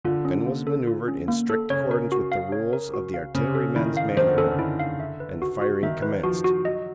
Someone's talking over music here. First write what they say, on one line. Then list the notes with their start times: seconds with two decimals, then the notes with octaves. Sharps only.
The gun was maneuvered in strict accordance with the rules of "The Artilleryman's Manual," and the firing commenced.
0.05 D3 F4
0.25 C#4
0.46 A#3
0.67 A4
0.87 F4
1.08 C#4
1.28 A#3
1.50 A4
1.70 C#3 C#5
1.91 A#4
2.12 F#4
2.32 F5
2.52 C#5
2.73 A#4
2.94 F#4
3.14 F5
3.34 C#3 C5
3.55 A4
3.76 D#3 E4
3.97 F5
4.17 D#3 C5
4.27 D3
4.37 C#3 A4
4.47 D3
4.59 E4
4.80 F5
5.00 E5
5.20 B4
5.42 F#4
5.62 F#4
5.83 D#3 E5
6.02 B4
6.24 F3 F#4
6.44 F#4
6.65 F#3 D#5